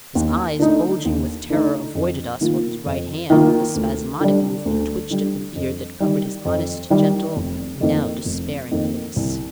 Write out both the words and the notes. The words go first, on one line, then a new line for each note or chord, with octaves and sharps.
His eyes, bulging with terror, avoided us, while his right hand, with a spasmodic movement, twitched at the beard that covered his honest, gentle, and now despairing face.
D#2
D3 A3 D#4
D#2
D3 A3 D#4
F2
D#3 A#3 F4
F2
D#3 A#3 F4
D2
D3 G3
D2
D3 G3
F2
D#3 G3
F2
D#3 G3
F1
F2 D#3 A#3
F1
F2 D#3 A#3
C2